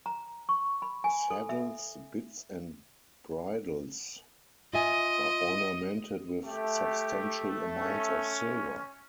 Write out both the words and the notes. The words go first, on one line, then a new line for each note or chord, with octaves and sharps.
Saddles, bits and bridles are ornamented with substantial amounts of silver.
A#5
C#6
B5
G#5
A4
E5
F4 D#5 E5 G#5
A3 G4
C#4